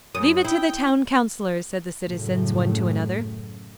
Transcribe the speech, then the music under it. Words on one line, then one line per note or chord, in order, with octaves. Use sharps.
'Leave it to the Town Counsellor,' said the citizens one to another.
F#2 D#6
E4 G5
F#2 A2 C#3 A3